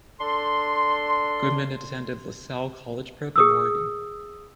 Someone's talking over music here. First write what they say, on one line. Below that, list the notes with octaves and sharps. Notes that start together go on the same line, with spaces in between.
Goodman attended La Salle College Prep in Oregon.
D4 A4 C6
G#4 D#6 E6